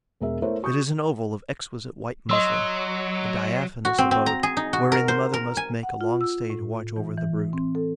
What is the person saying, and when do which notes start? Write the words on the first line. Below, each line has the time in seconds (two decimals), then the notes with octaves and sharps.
It is an oval of exquisite white muslin, a diaphanous abode wherein the mother must make a long stay to watch over the brood.
0.20 E1 G#3 A#4 E5
0.42 A3 E4 A4 A#4 C5 C#5
0.63 F#4 C#6 D#6 G6
2.30 F#3 D#5 C6 E6
3.85 F#4
3.98 C4
4.11 C4
4.26 A#5
4.43 G#4
4.57 D#4
4.73 F#4
4.92 A#4
5.08 C5
5.33 A#4
5.57 G#5
5.83 F#5
6.01 F4
6.21 E6
6.50 A2
6.96 E3
7.18 E3
7.53 C4
7.75 A4